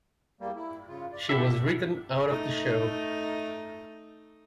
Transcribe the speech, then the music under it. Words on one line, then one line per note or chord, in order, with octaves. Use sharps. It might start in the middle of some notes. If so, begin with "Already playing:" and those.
She was written out of the show.
E2 G3 A#3
E4
C#3 F4
D5
D3 D4 E4 G4 A4 E5
A3 D#4